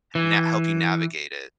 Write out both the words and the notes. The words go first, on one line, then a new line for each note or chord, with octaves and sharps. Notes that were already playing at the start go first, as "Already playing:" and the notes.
na help you navigate it.
E3